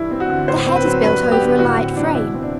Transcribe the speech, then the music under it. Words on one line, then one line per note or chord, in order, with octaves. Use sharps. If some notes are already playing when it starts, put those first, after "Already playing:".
The head is built over a light frame.
Already playing: G2 E3 E4
C4
F#4
D3
A2 C5
C4
B4
F#3
G2 B4
B3
G4
D3
A2 F#4
C4
E3 D4
B2 E4
C4
D4